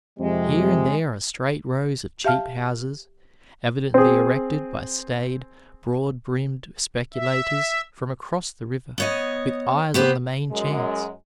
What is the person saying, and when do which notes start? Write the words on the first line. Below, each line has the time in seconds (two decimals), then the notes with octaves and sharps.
Here and there are straight rows of cheap houses, evidently erected by staid, broad-brimmed speculators from across the river, with eyes on the main chance.
0.19 F2 C3 G#3
2.25 G4 E5 F5 A5 F6
3.94 C4 G#4
7.13 E5
8.98 B3 C#5 D#5
9.94 B3 G4 C5
10.52 F#2 G#3